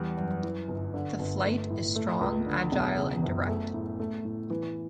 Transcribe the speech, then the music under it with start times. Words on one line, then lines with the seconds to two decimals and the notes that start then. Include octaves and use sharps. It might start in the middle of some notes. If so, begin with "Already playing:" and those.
The flight is strong, agile and direct.
Already playing: E2 G3
0.17 F#2
0.43 E3
0.68 G1
0.94 D3
1.19 G1
1.45 A3
1.70 A2
1.96 A3
2.21 C#2
2.46 D3
2.72 E1
2.97 C#3
3.23 F#1
3.48 A3
3.74 A2
4.00 A3
4.25 A2
4.50 E3